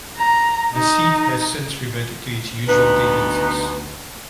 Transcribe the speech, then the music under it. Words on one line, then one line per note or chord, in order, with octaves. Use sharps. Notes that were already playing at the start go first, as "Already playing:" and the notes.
The seat has since reverted to its usual tendencies.
A#5
D#4
D2 B3 D#4 B4